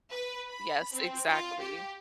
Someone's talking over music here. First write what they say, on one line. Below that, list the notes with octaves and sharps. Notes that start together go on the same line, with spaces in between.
Yes, exactly.
B4
B5
C4
F4
G4